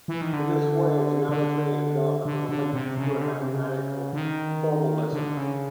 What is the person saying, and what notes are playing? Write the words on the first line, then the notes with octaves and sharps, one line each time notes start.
In this way, geometry and development were linked through a mathematical formalism.
E3
D#3
D3
D3
D3
D3
C3
C#3
D3
C#3
C3
C#3
D3
D#3
D3
C#3